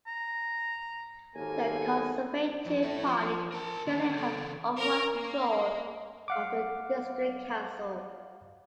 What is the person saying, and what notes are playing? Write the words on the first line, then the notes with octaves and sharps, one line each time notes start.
The Conservative Party currently have overall control of the district council.
A#5
G#1 D#2 A#3 A4 A#4 G#5
F2
E4 A4
F3
A#4 A5
D#2 D3
C#3 A4
A#4
A#3
F5 F#5 D6